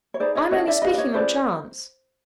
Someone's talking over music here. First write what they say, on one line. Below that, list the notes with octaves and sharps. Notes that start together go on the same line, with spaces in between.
I am only speaking on chance.
C#5
D#4 G#4 B4 C5 D5
C#5 D#5
C#4 E4 A4 C#5 D#5
D5 E5
D4 G4 B4 D#5 F5
D5
C#5 D#5
C#4 F4 G#4 B4 C5 D5